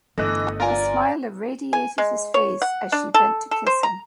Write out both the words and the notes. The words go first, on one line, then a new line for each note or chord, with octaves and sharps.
A smile irradiated his face as she bent to kiss him.
G1 E3 A3 D#5 F#6
F4 A#4 D5 G#5
G#5
G#3
C#5
F#5
D4
A4
A4
C5
A#5